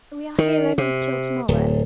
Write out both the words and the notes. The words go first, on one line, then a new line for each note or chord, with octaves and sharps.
We are here only till to-morrow.
D#3
C3
D1